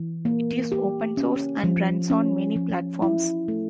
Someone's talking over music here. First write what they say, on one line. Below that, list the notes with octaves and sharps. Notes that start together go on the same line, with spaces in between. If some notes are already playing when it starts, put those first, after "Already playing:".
It is open source and runs on many platforms.
Already playing: E3
A#3
G4
C#4
F3
C#4
F3
E4
A3